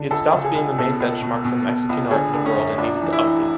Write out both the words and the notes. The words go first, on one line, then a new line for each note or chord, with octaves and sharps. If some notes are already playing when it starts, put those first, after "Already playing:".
He had stopped being the main benchmark for Mexican art in the world and needed to update.
Already playing: D3
C#2 A4
C#3
G#4
C#2
B2 A4
C#2
B2
B2
B2
C#2
D3 G#4
D3
C#4
F#2
C#2 D4
E3
E4
E3